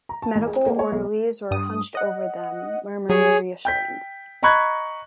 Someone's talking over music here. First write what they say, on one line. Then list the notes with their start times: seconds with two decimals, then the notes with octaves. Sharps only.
Medical orderlies were hunched over them murmuring reassurance.
0.09 A#5
0.22 A5
0.36 A1
0.47 G#4
0.66 A#3
0.79 C#5
0.92 B1
1.51 G2 D#6
1.95 D#5 F#5
3.09 F#3 G#4 C#5 G#5
3.65 G5 G6 B6
4.43 D#5 A#5 B5 C#6 F#6 G#6